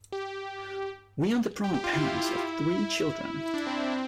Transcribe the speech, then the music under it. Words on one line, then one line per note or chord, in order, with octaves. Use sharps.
We are the proud parents of three children.
G4
G4
G4
F4
E4
E4
E4
D4
C4
C4
C4